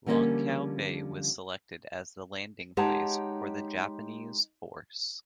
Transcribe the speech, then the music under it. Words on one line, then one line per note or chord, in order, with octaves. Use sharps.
Longkiau Bay was selected as the landing place for the Japanese force.
D3 F3 G3 A#3 C4 C#4
G#3 D#4 G4 C#5 F#5 A5